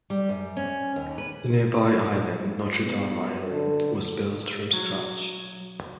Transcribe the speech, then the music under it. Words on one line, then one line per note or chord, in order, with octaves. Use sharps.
The nearby island, Notre Dame Island, was built from scratch.
G3
F#2
C#4
D#2
B4
B3
D3
F#3